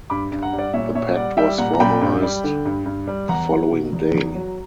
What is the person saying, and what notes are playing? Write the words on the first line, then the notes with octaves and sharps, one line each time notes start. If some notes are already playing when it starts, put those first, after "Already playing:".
The pact was formalized the following day.
G2 B5 D6
G2
F#5 A#5
G3
D5 F#5
A#2 C#5 E5
A#2 C#5 E5
G3 D5 F#5
G3 E5 G5
A#2 F#5 A#5
A#5
A#2 G5 B5
G2
G3
D3
G2
G2
G3
E2 F#5 A#5
F#3
B2
E2
E2
F#3